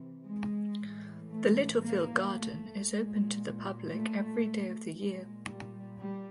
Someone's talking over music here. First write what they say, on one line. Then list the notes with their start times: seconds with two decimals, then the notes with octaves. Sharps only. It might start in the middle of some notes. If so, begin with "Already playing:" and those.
The Littlefield Garden is open to the public every day of the year.
Already playing: C3 E3
0.26 G#3
0.78 A2 E3
1.30 A3
1.83 A#3
2.34 A3
2.87 A#2 G#3
3.91 A3
4.95 A#2 G#3
5.48 G3
6.00 G3